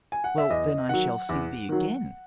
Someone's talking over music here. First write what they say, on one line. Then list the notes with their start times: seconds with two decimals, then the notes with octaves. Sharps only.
Well; then I shall see thee again?
0.12 G#5
0.24 F#5
0.38 E5
0.50 E2 D#5
0.89 D#3 F#3 F#5
1.29 E2
1.69 D#3 F#3